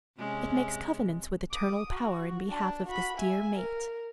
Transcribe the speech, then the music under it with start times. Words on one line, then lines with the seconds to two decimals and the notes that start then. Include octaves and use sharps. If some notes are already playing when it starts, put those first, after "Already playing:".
It makes covenants with Eternal Power in behalf of this dear mate.
0.18 C3 G#3 C#4
1.52 D6 D#6
1.89 F#4
2.49 D4 A5
2.86 F#4 B5
3.17 E5 G#5
3.55 A#4